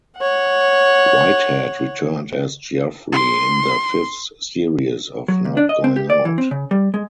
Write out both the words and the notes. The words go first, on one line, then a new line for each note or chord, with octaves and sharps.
Whitehead returned as Geoffrey in the fifth series of "Not Going Out".
C#5 F#5
C6
F#3
D#2
D4
D#5
C4
G4
D5
E3
C4
C#3
G3
G#3